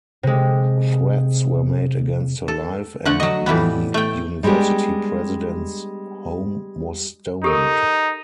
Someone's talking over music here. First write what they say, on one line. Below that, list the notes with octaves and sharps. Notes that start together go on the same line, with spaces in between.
Threats were made against her life and the University president's home was stoned.
C3 G#3
A4
D3 A3 F#5
F#3 D#5
A2 E3 G3 B3
A3 G5
G3 G#3 B3 D4 G4
D#4 G4 A4 A#4